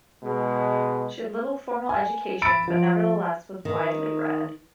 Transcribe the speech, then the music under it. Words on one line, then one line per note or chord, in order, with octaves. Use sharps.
She had little formal education, but nevertheless was widely read.
B2 G#3
G#5
B5 E6 A6 D7
F3
D#3